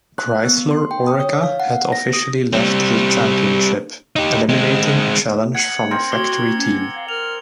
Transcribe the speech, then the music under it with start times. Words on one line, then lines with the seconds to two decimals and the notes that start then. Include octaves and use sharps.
Chrysler-Oreca had officially left the championship, eliminating a challenge from a factory team.
0.18 F#6
0.45 B3
0.71 C6
0.91 G5
1.07 D#6
1.20 C#5
1.44 F5
1.60 F#5
1.92 A#6
2.13 D#6
2.53 G3 C4
4.16 D#4 G4
4.49 G#3 C4
5.55 F#5 G#6 C#7 F#7
5.91 C4 A#4
6.12 F#4 D6 G#6 G7
6.57 C#4
6.95 F5
7.09 A#4 F6 F7